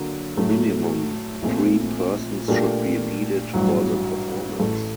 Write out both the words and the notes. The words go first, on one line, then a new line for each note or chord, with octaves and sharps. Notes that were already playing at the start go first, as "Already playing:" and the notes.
Minimum three persons should be needed for the performance.
Already playing: D3 F#3 A#3
A2 F#3 A3
A#1 A#2 A3 C4
A#2 A3 D4 G4 A#4
A1 G2 F#3
A1 A2 A3